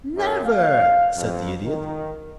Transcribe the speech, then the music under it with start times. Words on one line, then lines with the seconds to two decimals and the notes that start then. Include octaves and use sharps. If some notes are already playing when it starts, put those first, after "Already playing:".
"Never," said the Idiot.
0.16 F#2
0.45 F5
1.16 F2
1.64 D#3